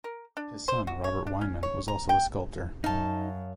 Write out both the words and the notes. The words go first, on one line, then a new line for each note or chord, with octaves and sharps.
His son Robert Weinman was also a sculptor.
A#4
D4
C5
F#4
C#5
D4
C#4
C#5
A#5
G5
F#2 D#4 F5 A5